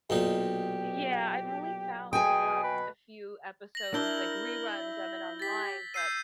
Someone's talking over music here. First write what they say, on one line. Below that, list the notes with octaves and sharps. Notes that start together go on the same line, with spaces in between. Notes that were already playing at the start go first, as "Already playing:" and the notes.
Yeah, I've only found, like, um, a few episodes, like reruns of it online, but
B1 A#2 D#4 G4
B2 G#4 G5 G#5
B4
A#6 F#7
D4 E4 A#4 E6 G6 G7
E5
G4 A6 B6
E6 G6 C7 D#7